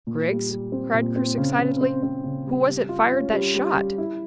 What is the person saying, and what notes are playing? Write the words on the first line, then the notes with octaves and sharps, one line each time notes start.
"Griggs," cried Chris excitedly, "who was it fired that shot?"
A#2
G3
G3
C4
A#2
C4
C#3
C#3
C4
C4
C#3
G3
G3
F4
C#4
G3
G3
G3
E4